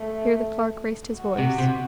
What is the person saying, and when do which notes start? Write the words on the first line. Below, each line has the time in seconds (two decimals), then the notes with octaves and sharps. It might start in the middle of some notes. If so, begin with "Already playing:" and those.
Here the Clerk raised his voice.
Already playing: A3
1.18 F#4
1.38 C3
1.58 C3